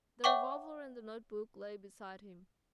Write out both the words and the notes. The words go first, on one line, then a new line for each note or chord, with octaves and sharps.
The revolver and the notebook lay beside him.
C#5 E5 F#5 G5 C#6 D6